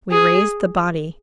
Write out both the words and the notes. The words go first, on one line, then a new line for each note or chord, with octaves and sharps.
We raised the body.
G#4